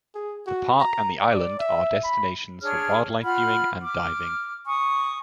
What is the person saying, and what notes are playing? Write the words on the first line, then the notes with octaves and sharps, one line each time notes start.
The park and the island are destinations for wildlife viewing and diving.
G#4
F#4
A#5
D5
E5
B5
D4 G#4 C#5 F6
F4 F#5 B5 F6
D6 F6
G#5 C#6 D#6